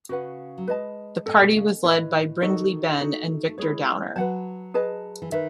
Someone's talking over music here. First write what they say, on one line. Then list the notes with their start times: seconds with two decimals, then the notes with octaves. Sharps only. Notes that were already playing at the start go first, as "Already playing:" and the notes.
The party was led by Brindley Benn and Victor Downer.
0.09 C#3 F#4 B4 F#5
0.58 F#3
0.67 G#3 B4 D#5 A5
1.26 A2 A4 D#5 G#5
1.41 B2
1.55 C#3
1.84 A2 E4 B4 D#5
2.41 D#3 D#4 F#4 A4 D#5
3.00 A3 D#4 F#4 A4
3.48 A3
3.58 G#3 E4 G#4 C#5
4.16 F#3 B4 F#5 A5
4.74 G#4 B4 D#5 A5
5.22 E3
5.32 D#3 B4 E5